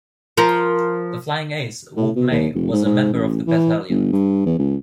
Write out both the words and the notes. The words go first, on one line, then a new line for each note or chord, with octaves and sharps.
The flying ace Wop May was a member of the battalion.
F3 A#4
A2
B2
D#2
F1
G#2
G#2
A1
E3
G1
G2
E2
C#2